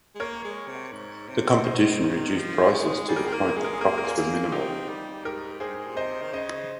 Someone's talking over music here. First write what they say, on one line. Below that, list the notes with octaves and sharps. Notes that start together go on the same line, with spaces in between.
The competition reduced prices to the point that profits were minimal.
G#3
A#3 A#4 C#5
G#3
C3
G#2
C3
C#3 C5 D#5
D#3
C#3
D#3
C#3
D#3
F3
G#3
G3 G#4
A#4
C4 G#4
A#3 A#4
G#4
A#4
G#3 G#4
A#4
G#4
A#3 A#4
G#4
A#4
F4 G#4
A#3
C4 D#4 G4
G3
G#2 G4 A#4
G#4 C5
G2
G#2
A#2
C3 C5 D#5
D#3
C#3 C5 D#5